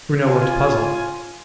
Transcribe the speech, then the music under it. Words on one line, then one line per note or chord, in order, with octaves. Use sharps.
Bruno looked puzzled.
F4 G#5